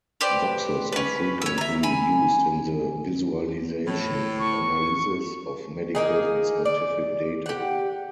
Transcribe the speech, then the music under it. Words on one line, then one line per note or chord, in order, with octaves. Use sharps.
Voxels are frequently used in the visualization and analysis of medical and scientific data.
G4 B4 C5 D5
C#4 B4
C#5 E6
E5 A#5
G#5 B5
A2
C#6
A#3 D#4 G#4
D5
G4 F#5